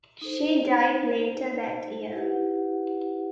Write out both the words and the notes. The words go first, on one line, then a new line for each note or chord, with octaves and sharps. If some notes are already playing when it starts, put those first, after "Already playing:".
She died later that year.
D#4 A4 C5
E4 G4 B4 F#5